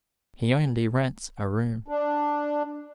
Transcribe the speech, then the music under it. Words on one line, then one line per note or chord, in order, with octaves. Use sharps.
He only rents a room.
D4